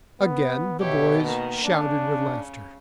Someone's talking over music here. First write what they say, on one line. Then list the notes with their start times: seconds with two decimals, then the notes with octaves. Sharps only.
Again the boys shouted with laughter.
0.20 B3
0.79 B2 G4 C#5 E5
1.22 D#3 A#3 B3
1.64 C#3 D4